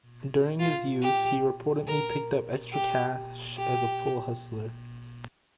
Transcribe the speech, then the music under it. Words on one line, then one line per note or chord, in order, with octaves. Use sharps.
During his youth, he reportedly picked up extra cash as a pool hustler.
F4
G4
A#4
G4
G4